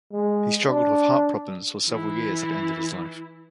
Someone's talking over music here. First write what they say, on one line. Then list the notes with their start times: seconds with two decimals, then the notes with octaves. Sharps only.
He struggled with heart problems for several years at the end of his life.
0.12 G#3
0.67 D4
1.87 E3 E4